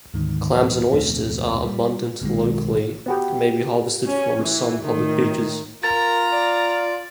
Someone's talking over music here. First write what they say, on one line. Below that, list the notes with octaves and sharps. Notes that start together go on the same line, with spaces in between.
Clams and Oysters are abundant locally and may be harvested from some public beaches.
D2 G#2 D#3
D2 A2 E3 F#3
D1 F2 B2 A3
G3
B1 B2 D#3 G#3
B3 F#4 G4
C#4
E3
A2 D#3
F4 A#4 A#5 A6
D5